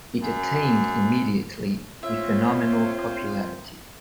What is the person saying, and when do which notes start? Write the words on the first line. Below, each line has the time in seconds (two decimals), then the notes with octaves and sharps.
It attained immediately a phenomenal popularity.
0.22 F#2
2.03 C4 F4 C5 C#5 E5